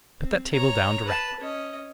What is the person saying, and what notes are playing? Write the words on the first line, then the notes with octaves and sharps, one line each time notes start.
"Put that table down directly."
C4
C#5 A#5
B4 A5
C#4 D#5